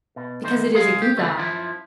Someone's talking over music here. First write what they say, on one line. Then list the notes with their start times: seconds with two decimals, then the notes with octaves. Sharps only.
Because it is a gewgaw.
0.16 B2
0.44 D#3 E3 D#4 C5
0.74 C3 G#3 G#4 F5
1.02 G4
1.17 C#3 F#3 G3 A3
1.36 F#2 F3 E4